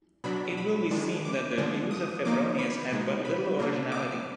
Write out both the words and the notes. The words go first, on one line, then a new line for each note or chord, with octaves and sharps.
It will be seen that the views of Febronius had but little originality.
B2 F#3 D4 B5
B5
D#3 G#3 D4
D6
D3 F3 G#3 D4
D#6
F3 A#3 D#4 D6
B5
B2 G#3 D#4
B5
B2 A#3 D4
D6